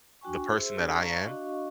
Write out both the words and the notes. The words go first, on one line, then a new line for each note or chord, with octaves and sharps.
the person that I am
D4 F#4 G5 G#5 C#6
G#4 C5 E5 C6 E6
D4 G4 A4
D5 F5 A5 A#5 C#6
D4 F#4 D#5 F5 C#6